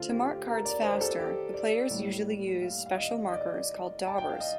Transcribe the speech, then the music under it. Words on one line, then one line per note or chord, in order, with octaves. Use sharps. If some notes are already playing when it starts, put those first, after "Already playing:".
To mark cards faster the players usually use special markers called "daubers".
Already playing: D3 A3 F4 A4 C5
G4
G4
A#4
D5
C5
G4
A4
G4
D5
A2 G3 A#3
F5
F5
D#5
D#5
D5
A5
G5
F5
D#5